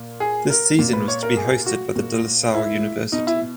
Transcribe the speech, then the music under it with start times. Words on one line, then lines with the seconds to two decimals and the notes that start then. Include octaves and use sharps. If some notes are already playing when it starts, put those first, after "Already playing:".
This season was to be hosted by the De La Salle University.
Already playing: A#2
0.20 G#4
0.50 A#4
0.79 A#2
0.93 B4
1.08 C#5
1.23 A#4
1.37 G#4
1.66 F#4
1.96 A#2
2.54 E4
3.12 B2 D#4
3.27 E4